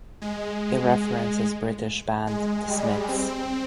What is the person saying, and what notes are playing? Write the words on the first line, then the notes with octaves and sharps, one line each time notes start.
It references British band The Smiths.
G#3
G#3
G3
C4